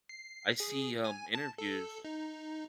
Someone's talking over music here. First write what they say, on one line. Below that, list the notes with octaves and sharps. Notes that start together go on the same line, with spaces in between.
I see, um, interviews
C7
G#4
G#5
A5
A4
D#4